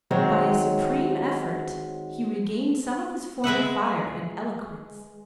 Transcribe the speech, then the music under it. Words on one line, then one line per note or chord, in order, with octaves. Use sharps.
By a supreme effort he regained some of his former fire and eloquence.
D#3 F#3 G#3 C4 C#5
G#3 B4 E5 F#5